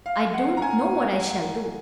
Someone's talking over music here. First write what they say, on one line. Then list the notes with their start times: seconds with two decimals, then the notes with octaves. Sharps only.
I don't know what I shall do.
0.06 F5
0.34 F#5
0.57 A#5
0.62 G#5